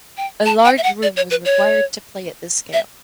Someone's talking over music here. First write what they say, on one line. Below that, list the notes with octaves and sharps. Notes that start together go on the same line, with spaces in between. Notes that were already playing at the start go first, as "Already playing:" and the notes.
A large room was required to play at this scale.
G5
A5
G5
E5
F#5
D5
C#5
B4
C#5
E5